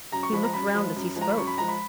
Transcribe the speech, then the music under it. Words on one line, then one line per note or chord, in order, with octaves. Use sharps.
He looked round as he spoke.
F#2 A#5
C#6
F3 G#3 B5
A#5
F#2 B5
F3 G#3
F#2
F3 G#3
A#5
B5
F#2 C#6
B5
F3 G#3 A#5
B5